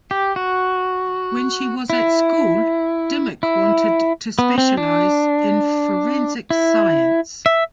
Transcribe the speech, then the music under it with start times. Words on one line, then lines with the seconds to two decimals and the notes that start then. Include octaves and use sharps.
When she was at school Dimmock wanted to specialise in forensic science.
0.11 G4
0.36 F#4
1.90 E4
3.43 E4
4.39 B3
4.58 C4
4.78 D4
6.50 E4
7.46 E5